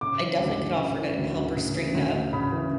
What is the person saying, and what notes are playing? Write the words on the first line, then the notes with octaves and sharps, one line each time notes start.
I definitely could offer to help her straighten up.
C#3 D6
E3
D2
D2
C#3
E3
D2
D2
C#3
E3
D2
D2
C#3 B5
E3